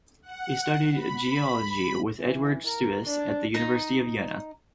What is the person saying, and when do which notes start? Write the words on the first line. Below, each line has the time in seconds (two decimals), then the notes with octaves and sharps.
He studied geology with Eduard Suess at the University of Vienna.
0.23 F#5
0.92 B5
2.20 E3
2.66 A#4
3.05 D4
3.55 D#4